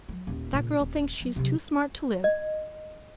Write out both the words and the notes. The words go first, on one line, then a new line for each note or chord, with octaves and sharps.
That girl thinks she's too smart to live.
F#3
D#1
A#2 C#3
D#1
F#3
C3 F#3
D#5